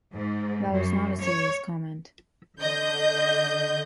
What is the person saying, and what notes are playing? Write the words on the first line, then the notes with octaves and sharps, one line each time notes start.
That was not a serious comment.
G#2
F#2
C#5
D3 D#5 G6